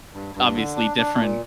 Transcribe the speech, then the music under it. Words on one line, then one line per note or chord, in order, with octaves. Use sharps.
obviously different
G2
G2
D3
D4
D4
A#2